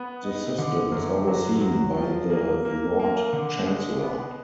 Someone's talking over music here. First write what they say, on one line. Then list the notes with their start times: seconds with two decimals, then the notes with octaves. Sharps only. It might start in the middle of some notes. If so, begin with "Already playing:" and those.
The system is overseen by the Lord Chancellor.
Already playing: B3
0.24 D#4
0.58 D3
0.92 F#2
1.27 F#3
1.61 F#3
1.96 F3
2.30 A#3
2.65 A#3
2.99 A#3
3.33 D3
3.67 G#3
4.02 B3